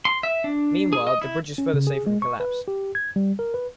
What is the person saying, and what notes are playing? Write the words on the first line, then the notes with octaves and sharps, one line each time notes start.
Meanwhile, the bridge is further saved from collapse.
C6
E5
D4
G#4
D#5
E4
C#4
C#3
G#4
G#3
C#6
B4
G4
G#6
G3
A#4
B4